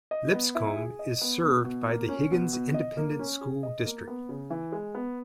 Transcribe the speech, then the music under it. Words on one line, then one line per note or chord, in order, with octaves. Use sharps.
Lipscomb is served by the Higgins Independent School District.
D#5
B3
E4
G#4
D#5
B3
B2
B2
A#3
C#4
B2
B2
D#5
A#3
C#4
G#4
D#5
A#3
B3
C#3
E3
G#3
B3